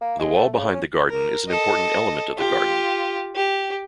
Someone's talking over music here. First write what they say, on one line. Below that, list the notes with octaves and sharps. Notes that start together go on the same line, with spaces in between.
The wall behind the garden is an important element of the garden.
A#3
G#3
A3
C#3
C#4
A#4
A4 D#5
F4 G4
G4